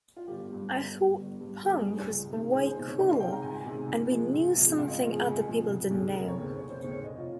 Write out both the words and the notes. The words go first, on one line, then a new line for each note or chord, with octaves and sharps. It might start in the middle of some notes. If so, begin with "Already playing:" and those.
I thought punk was way cooler and we knew something other people didn't know.
F4
G1 G4
G2 G3
G1
G2 G3
G1
G2 G3
G1 G#4
G4
G#4
G2 G3
C#2
C3 D#3 G#3
C#2 G#4
C5
C3 D#3 G#3 C5
C#5
C#2 D#5
F5
C3 D#3 G#3 G5
A#5
C#2 G#5
C3 D#3 G#3
C#2
C3 F3 G#3
C#2
C3 F3 G#3
C#2 F5
D#5
C3 F3 G#3
G#4
C#2 G#4
C3 F3 G#3
F1
D#2 C#3
F1 A#4
C#5
D#2 C#3
C5
F1 C#5
C5
D#2 C#3 C5
C#5
F1 D#5
F4